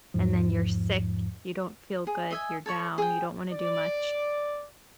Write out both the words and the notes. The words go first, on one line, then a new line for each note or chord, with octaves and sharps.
And then you're sick, you don't feel good. You're down, you don't wanna do much.
E2 G#2 F3
G#4
D#5 E5 G#5
A4 C#5 C#6
G#4 G5
D5